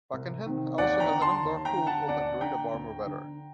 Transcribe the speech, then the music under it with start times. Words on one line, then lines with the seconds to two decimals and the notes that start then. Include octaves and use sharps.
Pakenham also has an outdoor pool open during the warmer weather.
0.13 C2
0.46 C3 D#3
0.78 D#2 D5 F#5
1.00 G5 A#5
1.11 D3
1.22 A5 C6
1.43 D#2
1.65 G5 A#5
1.76 D3
1.87 F#5 A5
2.08 D2 D5 F#5
2.41 D3 G5 A#5
2.74 D2
3.06 D3